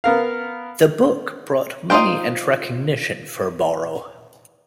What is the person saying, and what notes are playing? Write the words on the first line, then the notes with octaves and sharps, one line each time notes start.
The book brought money and recognition for Borrow.
B3 A#4 F5
D#4 F4 A4 C5 G5